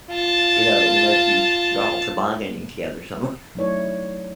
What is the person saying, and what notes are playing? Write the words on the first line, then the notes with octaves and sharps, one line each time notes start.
you know, unless you you're all tobogganing together somewhere or something
F4 A5
F#3 A3 D#4 E4 C#5 D5